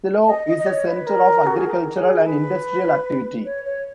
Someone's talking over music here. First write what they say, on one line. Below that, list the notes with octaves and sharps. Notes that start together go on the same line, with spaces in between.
Silao is a center of agricultural and industrial activity.
D#5
D#5
D#5
C#5
B4
A#4
F#4
G#4
A#4
G#4
B4
C#5
C#5